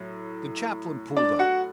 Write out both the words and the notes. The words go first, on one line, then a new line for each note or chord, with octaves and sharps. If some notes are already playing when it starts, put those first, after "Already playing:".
The chaplain pulled up.
Already playing: A2 F#3
D4 D5
F#4 F#5